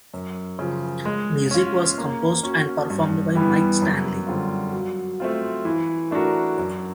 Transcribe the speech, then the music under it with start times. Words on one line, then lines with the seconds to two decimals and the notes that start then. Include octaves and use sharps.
Music was composed and performed by Mike Stanley.
0.14 F#2
0.59 C#3 F3
1.05 G#3
1.51 C#4 F4
1.98 A#3
2.43 C#4 F#4 A#4
2.90 G2
3.35 E3 G3 B3
3.82 F#2
4.27 D3 G3 C4 F4
4.73 F#3
5.20 A3 C4 F4
5.65 E3
6.11 A3 D4 F#4 A#4
6.58 F#2